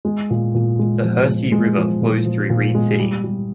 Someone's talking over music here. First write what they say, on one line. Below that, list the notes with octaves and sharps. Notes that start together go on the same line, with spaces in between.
The Hersey River flows through Reed City.
G#3
A#2
A#2
G#3
F3
G#3
G#3
F3
A#2
F3
A#2
G#3
G3
G3